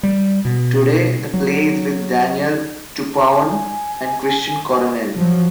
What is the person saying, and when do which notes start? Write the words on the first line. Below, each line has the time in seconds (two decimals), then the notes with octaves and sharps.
Today the play is with Daniel Tupauan and Christian Coronel.
0.03 G3
0.45 B2
1.34 F#3
3.14 A5
3.48 G#5
5.15 F3 F#3